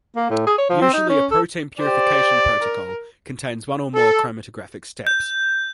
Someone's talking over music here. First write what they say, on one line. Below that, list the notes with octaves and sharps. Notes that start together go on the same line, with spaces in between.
Usually a protein purification protocol contains one or more chromatographic steps.
A#3
A2
G#4
C#5
F3
C4
D#4
C#4
A4
G4 C5 D5
A#4
A4
G6